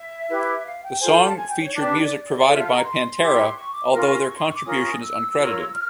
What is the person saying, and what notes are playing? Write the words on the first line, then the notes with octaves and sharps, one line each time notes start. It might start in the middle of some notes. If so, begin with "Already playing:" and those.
The song featured music provided by Pantera, although their contribution is uncredited.
Already playing: E5
E4 G4 B4
F5
G5
F4 A4 C5 G#5
A5
A5
G#5
G5
C#5
D4 G4 B4 D5
F4 A4 C5 D5
E5
F5
A#5
C6
E4 G4 B4
C#6
D6
C#4 F4 A#4 C6
C#6
C6
C#6
D6
C#4 F4 A#4 D#6
E6
F4 A#4 C#5
F6